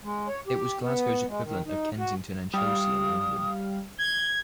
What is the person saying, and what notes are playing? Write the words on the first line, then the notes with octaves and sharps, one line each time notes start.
It was Glasgow's equivalent of Kensington and Chelsea in London.
G#3
C#5
G4
B3
G#3
D#3
D#4
F#4
G3 F5 D#6
G#6 G7